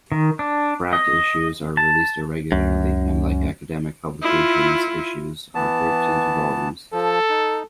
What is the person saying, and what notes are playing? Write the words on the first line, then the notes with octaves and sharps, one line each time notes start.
"Phrack" issues are released irregularly, and like academic publications issues are grouped into volumes.
D#3
D4
D#5
A5
C#2 F#2
E4 F4
E3 B3 A5
F3 A4
D#4